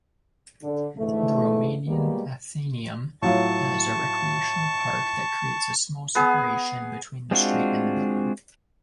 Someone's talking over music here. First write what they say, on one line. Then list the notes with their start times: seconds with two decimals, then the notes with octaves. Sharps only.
The Romanian Athenaeum has a recreational park that creates a small separation between the street and the building.
0.62 D3
0.98 G#2 D3 E3 A3
1.87 B2 G3 G#3 A#3
3.22 A2 F#3 F4 A5 C#6
6.15 B3 G#4
7.31 G#3 C4 D4 F4 F#4